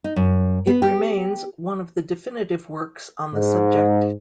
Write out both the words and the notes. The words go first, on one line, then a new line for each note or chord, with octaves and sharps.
It remains one of the definitive works on the subject.
D#4
F#2
B3
G4
G#2